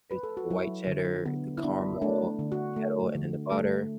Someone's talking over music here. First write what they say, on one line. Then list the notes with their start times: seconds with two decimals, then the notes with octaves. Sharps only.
there's, like, the white cheddar, the caramel, the kettle, and then, the butter.
0.11 B4
0.23 A4
0.37 F#4
0.51 F#3 E4
0.87 D3
1.25 D3 B3
1.58 E4
1.64 B3 D4
2.02 A3 D4
2.39 D3
2.52 F#4
2.76 A3
3.15 D3
3.52 A3